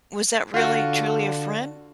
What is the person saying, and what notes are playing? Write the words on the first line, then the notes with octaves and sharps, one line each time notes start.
was that really truly a friend,
D3 F4 F#4